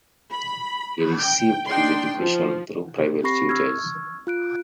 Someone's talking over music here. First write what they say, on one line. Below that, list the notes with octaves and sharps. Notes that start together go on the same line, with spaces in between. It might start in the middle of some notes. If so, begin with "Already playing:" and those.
He received his education through private tutors.
B5
G5
D4 D#4 G5 C6
F3
G4
C4 G4 B5 C#6 A#6 C7
C#6 E6 F6 G#6
F4 F#6 D7